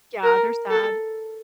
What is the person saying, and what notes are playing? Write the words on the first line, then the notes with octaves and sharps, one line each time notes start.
Yeah, they're sad.
A#4
A4